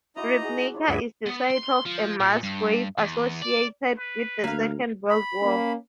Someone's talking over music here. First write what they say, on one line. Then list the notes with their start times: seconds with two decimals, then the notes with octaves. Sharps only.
Ribnica is the site of a mass grave associated with the Second World War.
0.16 D#4 E4 F#4 D#5 A#5 D6
0.41 F#4 G#4 F#5
0.74 D4 F4 C#5
0.88 D2 G2 F#4 G#4 B4 E5
1.26 B3
1.50 C6
1.86 F3
2.20 A#2
2.43 G2
2.98 E2
3.42 D5
3.99 B4
4.44 D2 A#3 F5
5.10 B5
5.41 A#3 C#4